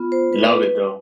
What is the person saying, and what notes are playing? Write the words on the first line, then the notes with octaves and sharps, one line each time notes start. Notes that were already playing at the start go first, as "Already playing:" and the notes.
Love it, though.
Already playing: B3 F4
C5
B4